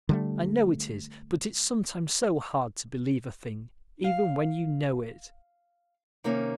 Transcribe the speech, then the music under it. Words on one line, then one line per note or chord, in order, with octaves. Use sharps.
I know it is, but it's sometimes so hard to believe a thing even when you know it.
D3 G3 A3
F5
C3 D#3 A#3 C#4